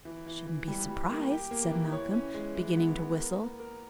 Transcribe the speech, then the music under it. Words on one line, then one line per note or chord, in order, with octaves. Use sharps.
"Shouldn't be surprised," said Malcolm, beginning to whistle.
E3
E3
E3
G3
G3
A#3
G4
A#3
E3
C#5
C#4
G#3
E3
B3
B3
A#4
A#3
A#4